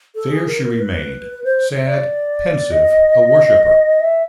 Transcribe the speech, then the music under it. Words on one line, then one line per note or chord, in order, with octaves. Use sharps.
There she remained — sad, pensive, a worshipper.
A4
G#4
A#4
A#4
B4
C5
D5
D#5
E5